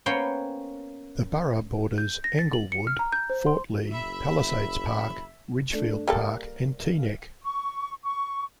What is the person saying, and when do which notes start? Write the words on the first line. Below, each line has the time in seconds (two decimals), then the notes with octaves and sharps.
The borough borders Englewood, Fort Lee, Palisades Park, Ridgefield Park and Teaneck.
0.06 A#3 B3 C#4 C5 C#5 G5
1.98 G6
2.24 A#6
2.39 A6
2.53 F#7
2.72 C#7
2.87 F6
2.99 A#5
3.12 G6
3.30 C5
3.46 C6
3.93 F#1 E5 B5
5.73 A3 D4
6.08 G3 A#3 A4 A#4
7.43 C#6
8.03 C#6